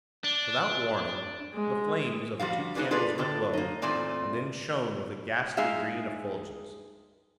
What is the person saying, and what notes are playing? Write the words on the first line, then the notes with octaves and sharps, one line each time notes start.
Without warning, the flames of the two candles went low, and then shone with a ghastly green effulgence.
D4
G#3
F3 G3 F#4 F5
A#3 D#4 F#4 G#4 B4 D5
F4 G#4 A4 B4 D5
D3 G4 A4
A#3 D#4
E2 A#2 A3 C4 D5 G#5
G#3 D#4 G#4 E5 F5